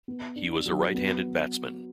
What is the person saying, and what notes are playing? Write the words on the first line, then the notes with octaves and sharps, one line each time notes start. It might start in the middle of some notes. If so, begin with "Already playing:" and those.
He was a right-handed batsman.
B3
D4
F#3
B3